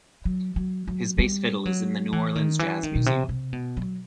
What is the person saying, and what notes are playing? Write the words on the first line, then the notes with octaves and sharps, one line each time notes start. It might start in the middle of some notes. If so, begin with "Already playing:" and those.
His bass fiddle is in the New Orleans Jazz Museum.
F#3
F#3
F#3
G3
F#3
E3
D#3
E3
D#3
B2
C3
C3
B2
F#3